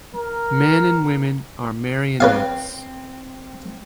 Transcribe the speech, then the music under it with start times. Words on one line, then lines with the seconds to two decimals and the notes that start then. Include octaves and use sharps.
Men and women are marionettes.
0.15 A#4
2.20 C4 B4 C#5 F5